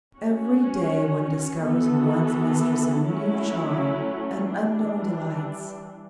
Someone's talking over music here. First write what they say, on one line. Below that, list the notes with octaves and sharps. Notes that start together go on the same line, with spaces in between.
Every day one discovers in one's mistress a new charm and unknown delights.
C#4 F#4 C#5
E3 B3 F#4 A4
F#3 A3 C#4 E4
E3 G3 D4